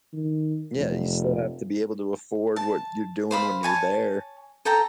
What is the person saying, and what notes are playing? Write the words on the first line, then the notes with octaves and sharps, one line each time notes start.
Yeah, you still have to be able to afford what you're doing when you're there,
D#3
F1
A5
C5 F5 B5
C#5 G#5 A5
A4 G5 A#5